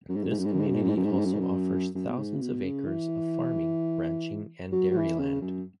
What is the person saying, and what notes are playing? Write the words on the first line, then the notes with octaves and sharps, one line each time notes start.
This community also offers thousands of acres of farming, ranching, and dairy land.
F#2
G#2
F#2
G#2
F#2
G#2
F#2
G#2
F#2
G#2
F#2
G#2
F#2
G#2
F#2
G#2
F#2
G#2
F#2
F#2
B2
G#2
C#3
B2
C#3
E3
F#3
F#3
E3
C#3
F#2